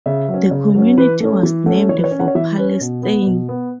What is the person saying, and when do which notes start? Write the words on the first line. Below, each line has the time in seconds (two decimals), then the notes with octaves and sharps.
The community was named for Palestine.
0.06 C#3 E5
0.28 F#3
0.34 C#4
0.51 C#3
0.75 F#3 C#4
0.98 E3 B4
1.20 A3 C#4
1.43 E3
1.66 A3 C#4 F#5
1.89 E3 C#5
1.98 B4
2.04 C#5
2.11 C#4
2.20 F#5
2.28 C#5
2.35 E3 E5
2.58 C#4 B4
2.81 B2
3.03 B3
3.27 B2
3.49 B3